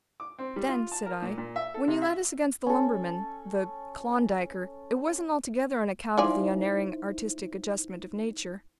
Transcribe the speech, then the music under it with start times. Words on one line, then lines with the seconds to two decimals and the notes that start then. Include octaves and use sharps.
"Then," said I, "when you led us against the lumberman--the--Klondiker --it wasn't altogether on account of the Unerring Artistic Adjustment of Nature?"
0.20 D6
0.39 C4
0.56 G3
0.68 F4
0.92 A5
1.06 A#4
1.22 A#2
1.38 A#2
1.56 E5
1.74 A4
1.88 C3
2.02 E5
2.66 C#4 A4
6.18 F3 D#4 E4 C5 D5 G#5